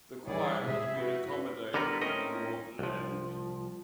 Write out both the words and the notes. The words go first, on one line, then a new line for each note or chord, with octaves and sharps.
The choir has been accommodated at the northern end.
E3 G3 E4 G#4 C#5 D5
C3 G#3 G#4 E5
E4 F#4 B4
D3 G3 B3 A#4 B4
A2 C4 C#4 D#4 A#4 D#5
C2 F3